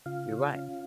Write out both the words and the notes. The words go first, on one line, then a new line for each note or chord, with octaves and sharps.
You're right.
C#3 F4 F5
C#3
C#4